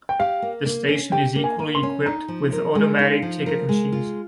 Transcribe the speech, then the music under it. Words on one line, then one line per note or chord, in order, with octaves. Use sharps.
The station is equally equipped with automatic ticket machines.
G5
G4 F5
A#3
A#3
C#4
G4 G5
A#3
G#5
A#3
C6
C#4
D#4 A#5
F3
A#4
G#3
D#4 F5
F3
A#4
G#3
F4